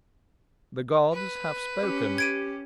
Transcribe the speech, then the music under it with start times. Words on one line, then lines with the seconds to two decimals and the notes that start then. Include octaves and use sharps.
The gods have spoken.
1.12 B4
1.83 C#4 G4
2.18 G#6 D7 D#7